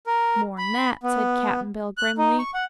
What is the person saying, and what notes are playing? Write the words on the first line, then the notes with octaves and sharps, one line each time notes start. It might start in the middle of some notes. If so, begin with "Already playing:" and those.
"More'n that," said Cap'n Bill, grimly.
A#4
B5
B3
F#6
D#4
C#6
F#5